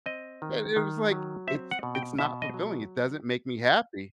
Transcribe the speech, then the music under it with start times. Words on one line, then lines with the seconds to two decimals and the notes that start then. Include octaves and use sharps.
and it was like, "It's it's not fulfilling, it doesn't make me happy."
0.06 C4 D#5
0.42 D#3
0.76 D#3
1.12 F#3
1.47 C4 E5
1.71 F#5
1.83 B2
1.95 G5
2.19 B2 E5
2.42 D#5
2.54 F#3